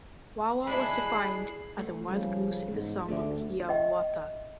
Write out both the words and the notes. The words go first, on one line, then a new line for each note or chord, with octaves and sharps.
Wawa was defined as wild goose in The Song of Hiawatha.
G#3 D4 E4 G#4 B5 C7
D2 A3
C#3 F3 G3
E2 G#2
D2 A3 F#4 D5 E5
D#5 E5 G5